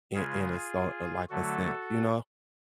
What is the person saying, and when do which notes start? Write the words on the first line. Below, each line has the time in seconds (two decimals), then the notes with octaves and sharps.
in in a so or like a saint, you know?
0.14 C#3 G#3 F4 G#4
0.43 F4 G#4
1.29 D3 F#3 A3 F#4 A4